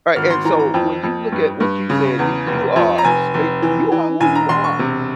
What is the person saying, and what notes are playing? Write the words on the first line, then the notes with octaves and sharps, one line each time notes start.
Right, and so, when you look at what you said, you you are space you are who you are.
G#1 F6
C6
E3 A#5
A#5
F2 G5
F2
G2
G2
C#3
E2
F1
F2
A#5
F1 G#5
F1
E3
E3
E1 G#5
A#5
E1 C6
C#6
C3